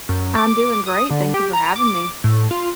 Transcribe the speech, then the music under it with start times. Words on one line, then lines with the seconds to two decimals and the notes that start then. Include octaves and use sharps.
I'm doing great. Thank you for having me.
0.09 F#2
0.36 D6
0.86 D#6
1.10 D3
1.34 G4
1.53 A#5
1.76 D6
2.24 A2
2.51 F4